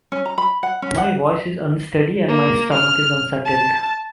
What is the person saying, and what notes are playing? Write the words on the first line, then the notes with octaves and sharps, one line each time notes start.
My voice is unsteady and my stomach is unsettled.
C#4
A#5
B5
F#5
C#4
F#5
A#3
F6
A5